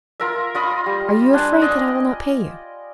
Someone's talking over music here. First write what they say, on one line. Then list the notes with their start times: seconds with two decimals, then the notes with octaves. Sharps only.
Are you afraid that I will not pay you?
0.20 F4 A#4 E5
0.55 F4 D#5 B5
0.86 G3
1.33 D4 G5 G#5
1.61 D5 D#5